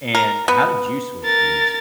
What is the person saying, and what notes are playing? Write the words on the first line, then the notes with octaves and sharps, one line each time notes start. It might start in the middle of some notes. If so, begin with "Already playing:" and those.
and how did you switch gears?
A#4
B3
A#4 A6